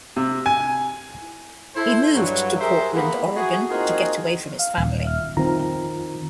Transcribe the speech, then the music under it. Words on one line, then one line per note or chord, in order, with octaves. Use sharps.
He moved to Portland, Oregon, to get away from his family.
C3
G#5
E4 A4 C5
G2 F#3
G4 G#4 A#4 C5 E5
A#3 B3 B5
A3 F#4 G#4
A#3 C4 D#4 F4 F#4 G#4
F5
D#1
E5 F6
F2 D#3 C4 F4 A#5